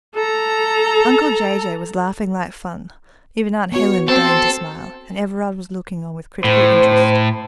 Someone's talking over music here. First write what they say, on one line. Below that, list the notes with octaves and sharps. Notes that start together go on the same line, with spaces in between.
Uncle Jay-Jay was laughing like fun; even aunt Helen deigned to smile; and Everard was looking on with critical interest.
A4 A#5
B3 F#4 C#5
C4 A4
A2 C5